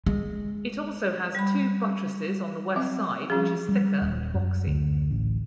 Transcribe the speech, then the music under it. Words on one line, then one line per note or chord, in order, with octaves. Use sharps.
It also has two buttresses on the west side which is thicker and boxy.
G#3
G3 B5
F#3 C4 E5
F3 G3 C#4 G#4
G3
D#1
F#2
D2
A1